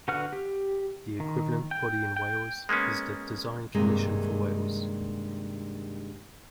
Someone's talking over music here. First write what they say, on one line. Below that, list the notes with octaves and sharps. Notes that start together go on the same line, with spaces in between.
The equivalent body in Wales is the Design Commission For Wales.
D3 F#4 B4 F#5 F6
G4
D#3
G5
G5
G#3 A#3 B3 C#4
G2 C3 D#3 G#3 A#3